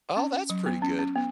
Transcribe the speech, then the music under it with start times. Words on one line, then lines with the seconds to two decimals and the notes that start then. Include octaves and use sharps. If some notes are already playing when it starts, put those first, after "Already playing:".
Oh, that's pretty good.
0.17 C#4
0.50 F#3
0.66 B3
0.82 C#4
0.99 C#4
1.15 B3